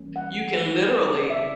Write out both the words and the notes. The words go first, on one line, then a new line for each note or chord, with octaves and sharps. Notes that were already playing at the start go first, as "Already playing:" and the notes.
you can literally
Already playing: E3 G3 A#3 C#4
F#5
D5
E5